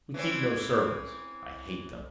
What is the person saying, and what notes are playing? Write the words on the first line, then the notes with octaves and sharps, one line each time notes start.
We keep no servants--I hate them.
E3 C4 C#4